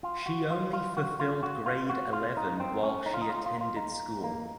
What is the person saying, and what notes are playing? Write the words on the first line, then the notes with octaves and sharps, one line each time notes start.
She only fulfilled grade eleven while she attended school.
F4
F#4
F4
F4
F#4
F4
F#4
F4
F#4
F4
D#4
C4
C#4
D#4
F4
D#4
F4
F4
F4
D#4
A#3